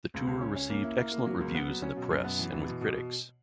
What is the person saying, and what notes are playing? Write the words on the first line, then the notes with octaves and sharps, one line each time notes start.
The tour received excellent reviews in the press and with critics.
C#2
C#2
C#4
C#4
A#3
E4
A#3
A#3
F#3
C#2
B3
F#3
C#4
B2
F#2
B3
E3
E3
B2
B2